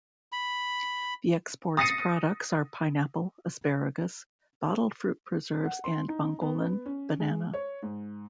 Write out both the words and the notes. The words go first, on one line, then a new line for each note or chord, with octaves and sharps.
The exports products are pineapple, asparagus, bottled fruit preserves, and Bongolan Banana.
B5
D#6 A6 A#6 C7 C#7 D#7
F#5
C6
D#4
B3
C#4
G#3
C#5
G#2